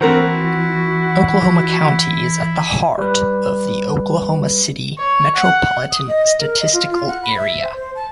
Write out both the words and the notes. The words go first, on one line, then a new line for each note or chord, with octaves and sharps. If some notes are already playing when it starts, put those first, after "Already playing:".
Oklahoma County is at the heart of the Oklahoma City Metropolitan Statistical Area.
E3 C4 E4 F#4 A#4 C5
G3 B4
C#5
F#5
D#6
D#5
A#4
D#5
F4
F4
F#5
B5
E5
C5
C5
A5